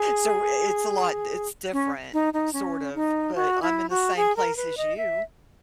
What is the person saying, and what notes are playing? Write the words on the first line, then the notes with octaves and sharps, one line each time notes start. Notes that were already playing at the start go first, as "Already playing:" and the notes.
So, i it's a lot it's different, sort of, but I'm in the same place as you.
Already playing: G#4
C#4
D#4
D#4
C#4
D#4
F#4
E4
F#4
G#4
A#4
B4
D#5
E5